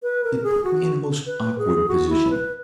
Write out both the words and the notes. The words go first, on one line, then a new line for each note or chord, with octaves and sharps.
It put me in a most awkward position.
B4
A#4
G#4
F#4
B4
G#4
F#4
E4
B4